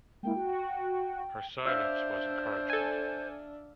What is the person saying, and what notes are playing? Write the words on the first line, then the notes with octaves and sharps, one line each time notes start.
Her silence was encouragement.
G#3 A#3 E4 G5
F#4
D4 C5 D5 E5 F5
A4 G#5